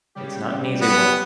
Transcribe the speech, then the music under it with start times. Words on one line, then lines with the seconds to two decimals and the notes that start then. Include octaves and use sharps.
It's not an easy one.
0.15 C#3 G3 G4
0.81 B3